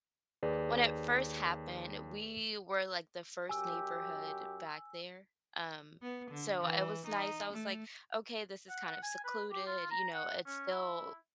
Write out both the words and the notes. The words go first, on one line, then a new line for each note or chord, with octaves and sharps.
when it first happened, we were, like, the first neighborhood back there, um, so, it was nice. I was like, okay, this is kind of secluded, you know, it still
D#2 G#4 B4 D5
F#2 G4 G#5 E6
B3
D3
E3
D#4
A3
F#5
G#5
B4
G4
F4
A#5
F#5
C#4
E4